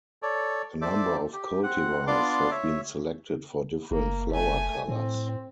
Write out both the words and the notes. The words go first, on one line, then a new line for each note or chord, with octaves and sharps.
A number of cultivars have been selected for different flower colours.
A4 C#5 D5
A4 C5 D5 E5 D6
G4
C4 F#5
B3 D4 F4 D5 C6 D6
C#5 E5
F#1 A#3
A3 G#5
A2 C4